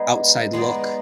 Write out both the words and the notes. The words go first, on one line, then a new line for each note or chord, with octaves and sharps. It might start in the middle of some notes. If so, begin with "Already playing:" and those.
outside look,
Already playing: G#3 B3 D#4 G#4 D5
G#3 B3 D#4 G#4 D5